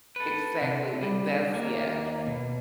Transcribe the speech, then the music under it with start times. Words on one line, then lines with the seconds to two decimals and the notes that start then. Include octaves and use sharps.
Exactly, big that's yeah.
0.16 A4 B4
0.61 C3
1.03 G3
1.55 D#2 A#3
2.27 B2